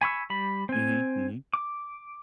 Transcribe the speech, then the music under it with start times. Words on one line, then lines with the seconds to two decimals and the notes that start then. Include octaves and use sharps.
Mhm, mhm.
0.01 G#5 B5 C#6 E6
0.30 G3 B5
0.69 C4 G#5
1.54 D6